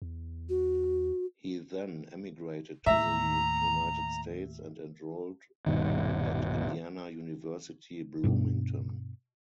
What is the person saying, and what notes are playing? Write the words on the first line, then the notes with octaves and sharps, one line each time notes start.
He then emigrated to the United States and enrolled at Indiana University Bloomington.
E2
F#4
D#2 A2 E5 A#5
D#1 G2 B2 D#3
G2 B2 D4